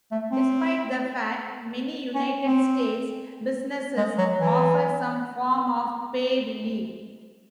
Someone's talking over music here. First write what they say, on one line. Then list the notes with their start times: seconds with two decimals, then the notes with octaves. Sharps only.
Despite that fact, many United States businesses offer some form of paid leave.
0.11 A3
0.31 C4
2.15 C#4
2.45 C4
3.97 G#3
4.18 F#3
4.39 E3